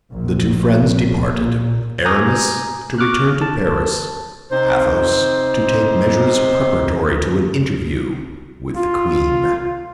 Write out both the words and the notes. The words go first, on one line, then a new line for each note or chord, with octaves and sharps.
The two friends departed--Aramis to return to Paris, Athos to take measures preparatory to an interview with the queen.
A#1
A#2
G#5 A#5 D6 D#6 G6 G#6
C#6 D6 F6 F#6
A5
C3 D#4 C5
F4